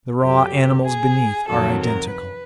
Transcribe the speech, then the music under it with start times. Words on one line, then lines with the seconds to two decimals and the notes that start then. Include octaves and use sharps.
The raw animals beneath are identical.
0.20 F#2 D3 F#3 G4
0.85 G#4
1.48 F2 C3 D#3 F#3 A4
1.80 A#4
2.12 B4